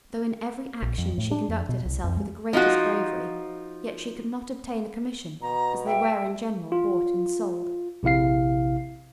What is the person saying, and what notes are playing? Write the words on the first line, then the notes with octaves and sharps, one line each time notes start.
Though in every action she conducted herself with the greatest bravery, yet she could not obtain a commission, as they were in general bought and sold.
A#1
F2
A2
D4
F2
B2
C2
F2
G#3
F3 D#4 F4 F#4
B2 A#5
E5 G5
F4
A#1 C3 E4 F5 C7